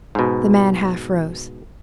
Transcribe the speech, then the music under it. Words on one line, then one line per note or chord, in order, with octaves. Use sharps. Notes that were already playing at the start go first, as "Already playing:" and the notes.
The man half rose.
G#2 B2